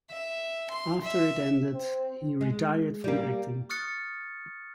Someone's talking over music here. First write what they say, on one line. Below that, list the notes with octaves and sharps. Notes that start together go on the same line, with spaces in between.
After it ended he retired from acting.
E5
C6
E5
C4
G#3
G3 A#3
C#6 D#6 F6 F#6 A6 C#7